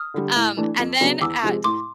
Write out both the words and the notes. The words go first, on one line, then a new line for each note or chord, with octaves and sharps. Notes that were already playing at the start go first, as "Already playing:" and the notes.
Um, and then at
Already playing: D#6 F6
D3 G3
A2
E3 A3 D4
F2
C#3 F#3 B3 D4
E2 D6 E6
C3 F3 G#3 C4
A2 C6 D6